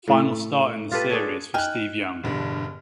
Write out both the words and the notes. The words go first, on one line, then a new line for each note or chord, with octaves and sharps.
Final start in the series for Steve Young.
A2 A3
F4 G4 A4 B4
D4 G#4 A4 C#5
D#4 G5 G#5 F6 F#6
E1 G2 D3